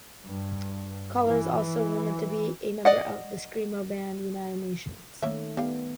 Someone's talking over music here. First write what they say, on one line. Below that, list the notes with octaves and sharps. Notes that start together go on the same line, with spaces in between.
Koller is also rumored to be a member of the screamo band United Nations.
G2
E3
D5 D#5 F#5
D#3 A3 A#3 C#4 E5
G3 B3 F5